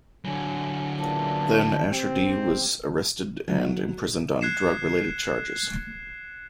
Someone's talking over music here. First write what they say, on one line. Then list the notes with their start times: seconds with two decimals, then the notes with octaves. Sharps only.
Then Asher D was arrested and imprisoned on drug related charges.
0.25 D3 F#3 G#5
0.98 A#2 C#3 E3 A5
1.90 C4 G4
3.48 F#3
4.41 F#6 G#6 C7 C#7 E7